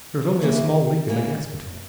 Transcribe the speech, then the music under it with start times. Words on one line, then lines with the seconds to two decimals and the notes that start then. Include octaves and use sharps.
There is only a small leak in the gas container.
0.41 C#3 E3 A#3 E4 B4
1.09 C#3 E3 A#3